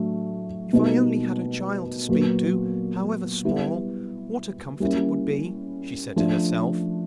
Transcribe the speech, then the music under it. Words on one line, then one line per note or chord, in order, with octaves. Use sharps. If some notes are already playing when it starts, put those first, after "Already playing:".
'If I only had a child to speak to, however small, what a comfort it would be!' she said to herself.
Already playing: A2 F#3 A3 D4
B2 G3 A#3 D#4
A#2 F#3 B3
G3 B3 E4
G3 A#3 C#4 E4
F3 A3 D4